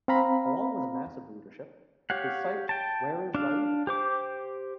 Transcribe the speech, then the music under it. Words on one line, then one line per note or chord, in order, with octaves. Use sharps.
Along with a massive readership, his site Where is Raed?
C4 F5 A#5 B5
G4 C#5 F5 F#5
G5 A5
D4 F5
G4 C5 D6